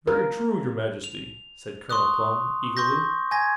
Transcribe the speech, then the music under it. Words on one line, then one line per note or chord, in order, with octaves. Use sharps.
"Very true, Your Majesty," said Colonel Plum, eagerly.
A#4
F7
C6 C#6 D#6 F#6
C6 C#6 G6 A#6
G#5 G#6 A#6